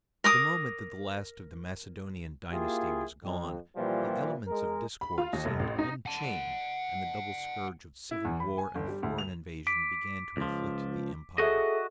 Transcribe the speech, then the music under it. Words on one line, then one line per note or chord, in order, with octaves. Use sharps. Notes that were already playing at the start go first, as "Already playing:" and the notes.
The moment that the last of the Macedonian dynasty was gone, the elements of discord seemed unchained, and the double scourge of civil war and foreign invasion began to afflict the empire.
A#4 D6 D#6
A#3 E4 F4 G4 G#4
F2
A#2 E3 F3 G3
G#3 A#4
B5
F4
D#2
F1
A1
D#4
F#5 A5
E4
E2
B5
G#5
G1
G3
D2
F7
D6 B6 D7
C#2 F3
F#4 G#4 A4 D#5 E5